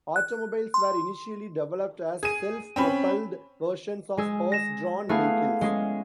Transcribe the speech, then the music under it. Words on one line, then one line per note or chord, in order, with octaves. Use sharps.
Automobiles were initially developed as self-propelled versions of horse-drawn vehicles.
F#6
C6
G#4 D#7
C4 C#4 B5
G#3 G#4 E6
A#6 E7
A3 B3 E4 G#4 F5
G#3 C#4 G#4